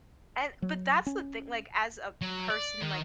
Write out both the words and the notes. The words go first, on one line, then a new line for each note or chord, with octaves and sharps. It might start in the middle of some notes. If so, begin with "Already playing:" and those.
And, but that's the thing, like, as a person, like,
F#3
C#4
F#3
D5
D#3